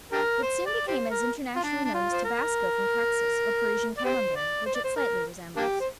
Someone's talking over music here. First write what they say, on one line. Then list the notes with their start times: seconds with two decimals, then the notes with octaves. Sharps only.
It soon became as internationally known as tabasco from Texas or Parisian Camembert which it slightly resembles.
0.12 D4 G4 A#4
0.43 C5
0.66 D5
0.88 G4 C5
1.11 A#4
1.56 F4
1.63 D4
1.85 D4
1.94 F4
2.13 C5
2.24 A#4
3.97 D5
4.05 G4 C5
4.36 D5
4.66 C5
4.75 D5
4.84 C5
4.96 A#4
5.57 A#3 D4 G4
5.80 C5